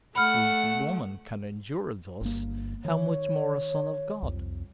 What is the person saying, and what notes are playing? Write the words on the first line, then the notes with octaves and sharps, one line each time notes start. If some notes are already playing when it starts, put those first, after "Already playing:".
If weak woman can endure thus, how much more a Son of God?
A3 F#5 B5 F6
G1 A#3
D#3 C#5
C2 F2